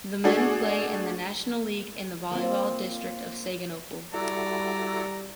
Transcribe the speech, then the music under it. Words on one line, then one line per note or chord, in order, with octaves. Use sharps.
The men play in the national league in the volleyball district of Siegen-Olpe.
A3 D4 F#4 G#4
A#3 C4 F4
G3 E4 F#4 A4 D5 A#5